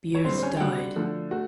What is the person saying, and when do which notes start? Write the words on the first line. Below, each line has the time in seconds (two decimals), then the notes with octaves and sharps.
Beers died.
0.15 C#5
0.25 D3 G3 C4 C5
0.38 C5
0.43 C#4 C#5
0.57 G5
0.60 D3 G3 F#4 F#5
0.96 D3 F3 A3
1.31 A3 F#4